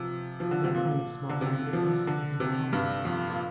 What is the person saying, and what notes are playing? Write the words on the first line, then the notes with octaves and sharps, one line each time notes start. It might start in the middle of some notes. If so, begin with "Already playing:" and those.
That kind of small-mindedness is impossible.
Already playing: C3 F3
F3
D3
C3
A#2
D3
C3
F3
D3
C3
G2
F2
A#2